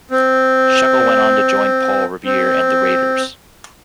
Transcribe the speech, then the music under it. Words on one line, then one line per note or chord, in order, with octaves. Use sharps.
Scheckel went on to join Paul Revere and the Raiders.
C4
C4